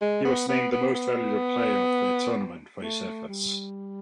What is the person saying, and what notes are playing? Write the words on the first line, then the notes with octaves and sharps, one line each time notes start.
He was named the Most Valuable Player of the tournament for his efforts.
G#3
B3
B3
B3
B3
A3
G3